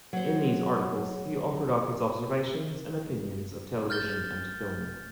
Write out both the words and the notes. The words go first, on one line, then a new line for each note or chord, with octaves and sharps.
In these articles he offered up his observations and opinions of television and film.
F#3 C5
F6 G6 A6 G7